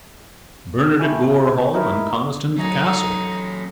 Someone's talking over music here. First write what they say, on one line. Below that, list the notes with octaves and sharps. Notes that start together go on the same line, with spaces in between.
"Bernard at Gore Hall and Conniston at the castle."
A3 E4 G4 G#5
D#4 E4 A#4 E5
F#3 C#4 D#4 A4 A#6 C#7